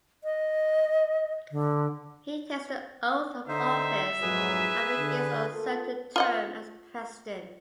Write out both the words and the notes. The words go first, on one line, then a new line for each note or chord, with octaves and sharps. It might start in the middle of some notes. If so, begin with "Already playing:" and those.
He takes the oath of office and begins an uncertain term as President.
D#5
D3
D3 D#4 C5 E5
F2 G#2 F#3 G#4 B4
D3
A#3 F4 A4
F4 D#5 F#5